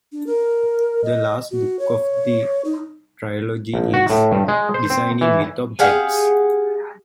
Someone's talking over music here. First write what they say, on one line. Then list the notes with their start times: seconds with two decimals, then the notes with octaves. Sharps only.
The last book of the trilogy is "Designing with Objects".
0.12 D4
0.26 A#4
1.04 D#5
1.51 F#4
1.79 C#5
2.65 D#4
3.74 A#1
3.94 F#4
4.10 A2
4.32 G2
4.48 G#3
4.74 C5
4.90 C4
5.21 E3
5.79 G4 G#4 F5 F#5